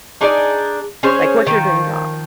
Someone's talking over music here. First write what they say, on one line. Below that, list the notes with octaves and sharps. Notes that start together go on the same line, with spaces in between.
Like, what's your dream job?
D4 D#4 G#4 D5
C#4 G#4 C5 C#5
D#3 F3